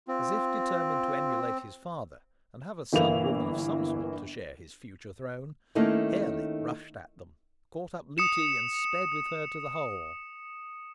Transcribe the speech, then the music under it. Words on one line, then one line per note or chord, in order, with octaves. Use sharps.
As if determined to emulate his father and have a sun-woman of some sort to share his future throne, Harelip rushed at them, caught up Lootie, and sped with her to the hole.
C4 F4
G1 E3 A#3 E4 F7
D#3 A3 A#3 C#4 D#4 E4
D#6 C#7 E7